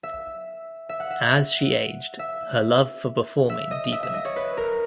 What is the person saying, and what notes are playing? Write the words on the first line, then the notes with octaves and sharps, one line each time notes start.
As she aged, her love for performing deepened.
E5
E5
F#5
E5
E5
E5
D#5
E5
E5
D#5
C#5
B4
A#4